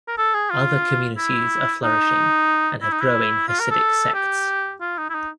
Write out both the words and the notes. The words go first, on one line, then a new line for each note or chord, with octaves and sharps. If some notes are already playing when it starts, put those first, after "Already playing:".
Other communities are flourishing and have growing Hasidic sects.
A#4
A4
G#4
F4
E4
D#4
E4
D#4
E4
F4
A#4
A4
G4
F4
D#4
E4
D#4